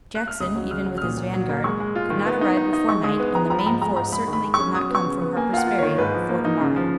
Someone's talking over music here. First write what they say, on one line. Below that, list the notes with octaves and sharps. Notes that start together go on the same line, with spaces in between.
Jackson, even with his vanguard, could not arrive before night, and the main force certainly could not come from Harper's Ferry before the morrow.
F#6
F6
C#2 D#6
F#3
C#3 F6
F#3
F6
A#2 D#6
A#2
F#3
A#3
G#3 C#6
G#3
F4
D#3
B3
D#4
D#4
D#4
G#3 C#6
G#3 D#6
B3
B3 A#5
F3 A#5
B5
G#2 A#5
G#3 A#5
G#2 A#5
G#3 B5
D#3
B5
G#3
C#6
C#4
F#3 D#6
D#6
B3 C#6
C#3
B3
A#3 G#5
F4 F5 F#5
F4
D#3 C#5
G#2 B4
F3
A#3
D#4
C#3
F3